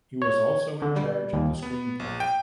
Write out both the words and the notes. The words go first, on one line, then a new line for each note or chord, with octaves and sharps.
He was also in charge of the screenplay.
C#5
D3
G3
D#2
B3
A#1
G5